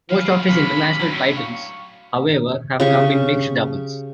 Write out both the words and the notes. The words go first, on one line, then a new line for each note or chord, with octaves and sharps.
Most of his international titles, however, have come in mixed doubles.
E3 B4 F5
G#2 C#3 G3 F5 D7 F#7
D#2 A#2 C#3 E3 F#3 B5
A2 D3 F#3
F5 C#6
C#3 G4 C#6